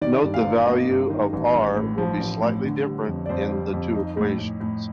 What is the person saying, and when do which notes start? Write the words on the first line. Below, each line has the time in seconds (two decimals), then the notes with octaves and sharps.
Note the value of r will be slightly different in the two equations.
0.02 D#3 D5
0.23 G2
0.34 F5
0.44 G1
0.66 A#3 D#5
0.89 G2
1.10 D#3
1.33 A1
1.55 A1
1.76 A2
1.98 F3
2.20 A1
2.42 A2
2.64 D3
2.85 G3
3.08 F2
3.26 D5
3.29 F2 C5
3.51 G3
3.73 F2
3.95 D#4
4.17 A2
4.39 A2
4.60 A2